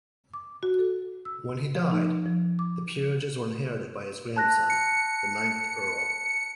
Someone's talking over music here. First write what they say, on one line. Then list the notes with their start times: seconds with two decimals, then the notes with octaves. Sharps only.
When he died the peerages were inherited by his grandson, the ninth Earl.
0.34 D6
0.63 F#4
0.79 A4
1.25 E6
1.75 F3
1.91 D#4
2.26 F3
2.59 D6
4.36 A5 F#6 A#6
4.70 C#7